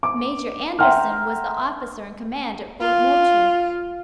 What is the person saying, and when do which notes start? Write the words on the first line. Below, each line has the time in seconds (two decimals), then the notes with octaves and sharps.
Major Anderson was the officer in command at Fort Moultrie.
0.03 D6
0.79 E5 F#5 G5 A#5 C6 F6
2.81 F4